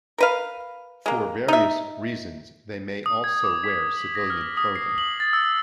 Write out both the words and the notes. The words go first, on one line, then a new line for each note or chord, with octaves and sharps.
For various reasons, they may also wear civilian clothing.
A#4 B4 F5
G#3 A#3
D#4 E5
D#6
G#6
D6
B6
F#7
A#6
F6
D#6
C7
F#7
A6
E6